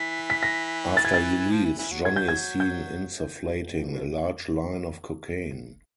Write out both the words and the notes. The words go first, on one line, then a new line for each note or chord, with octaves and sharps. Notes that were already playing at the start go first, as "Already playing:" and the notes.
After he leaves, Johnny is seen insufflating a large line of cocaine.
Already playing: E3 B6
B6
A#6
A6
G#6
A6
F3
E3
E3
F#3
F#3 G#6
G6
G#6
G6